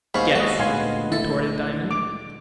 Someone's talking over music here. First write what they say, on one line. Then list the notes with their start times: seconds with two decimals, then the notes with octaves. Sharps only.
"Gets!" retorted Diamond.
0.14 D#2 G#2 B3 G#4 F5 B5 C#6
0.35 G#3 F#4 A4 D#5
0.59 D2 A#2 G#3 B4 F5 G#5 C6
1.12 E4 A4
1.91 D6